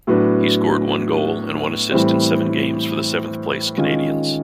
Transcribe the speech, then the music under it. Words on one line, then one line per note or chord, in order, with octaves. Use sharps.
He scored one goal and one assist in seven games for the seventh-place Canadians.
A2 F#3 B3 D4
A2 E3 G3 C4
D#3 G#3 C#4 F4